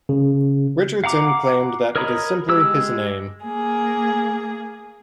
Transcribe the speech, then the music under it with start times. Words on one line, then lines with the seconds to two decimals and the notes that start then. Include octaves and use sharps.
Richardson claimed that it is simply his name.
0.09 C#3
1.04 F5 F#5 A#5 D6
1.96 A#4 C#5 D#5 A#5 B5
2.49 G#3 G4 E6
3.44 A#3 G#4